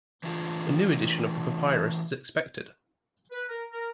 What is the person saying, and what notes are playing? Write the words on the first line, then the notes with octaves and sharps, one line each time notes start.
A new edition of the papyrus is expected.
E3 A3 D4 F4 G#4
B4
A#4
A#4